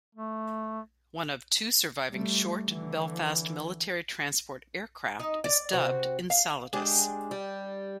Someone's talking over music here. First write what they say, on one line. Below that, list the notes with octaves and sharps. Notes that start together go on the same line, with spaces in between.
One of two surviving Short Belfast military transport aircraft is dubbed "Enceladus".
A3
G3 A3
D3 E3
D#4
D5
C3 C4 F#4
F5
G#3 D4 G4
G3